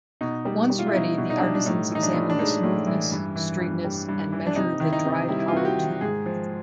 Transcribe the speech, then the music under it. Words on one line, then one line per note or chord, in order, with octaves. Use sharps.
Once ready, the artisans examine the smoothness, straightness, and measure the dried hollow tube.
B2 D#4
G3
G3
F4
E4
B2 D#4
B2
D#4
D4
G3
D4
A2 D#4
E3 D#4
D4
A2
D4
G#3 D#4
A2
E3
G2
E3
G2
G3
G2
E3
D4
C3 D#4
D#3 E4
D#4
C3
G3 E4
E4
F4
C3 F#4
G4
D#3
G#2 G#4
F3